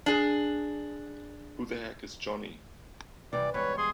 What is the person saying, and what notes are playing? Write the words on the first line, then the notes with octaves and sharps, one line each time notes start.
Who the heck is Johnny?!
D4 G#4
C3 E3 G3 D5
E2 G#2 G3 B4 C#5
G#4 C6